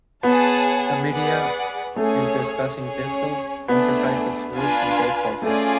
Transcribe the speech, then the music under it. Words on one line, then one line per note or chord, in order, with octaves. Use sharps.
The media, in discussing disco, emphasized its roots in gay culture.
B3 G#4 C#5 F#5 A5
G#4 B4 D5 F#5
A3 C#4 G#4 C#5
C#4 G#4 C#5
A3 B3 D4 G#4
D4 F4 B4 F5 G#5
A3 C#4 F4 G#4 D5 G#5